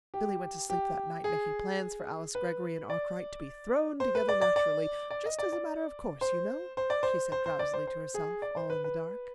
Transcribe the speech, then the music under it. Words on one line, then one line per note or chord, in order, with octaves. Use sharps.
Billy went to sleep that night making plans for Alice Greggory and Arkwright to be thrown together naturally--"just as a matter of course, you know," she said drowsily to herself, all in the dark.
G4
G4
G#4
B4
D5
C5
B4
D5
D5
D5
D5
D#5
D5
D5
C5
C5
D5
C5
C5
C5
D5
C5
C5
G#4
D5
C5
B4
B4